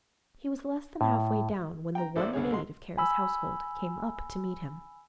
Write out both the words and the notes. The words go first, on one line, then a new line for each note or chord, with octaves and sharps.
He was less than half-way down when the one maid of Kara's household came up to meet him.
A2
G5 A#5
A1 E4 A4 C5 D5
C2 D3 G#4 C#5
B1 G#3 C6
G#5 B5 E6